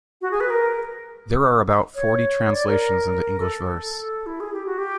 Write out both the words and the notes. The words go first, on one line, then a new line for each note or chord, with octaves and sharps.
There are about forty translations into English verse.
F#4
G#4
B4
A#4
C#5
D5
A#4
A4
E4
G#4
G4
F#4
G4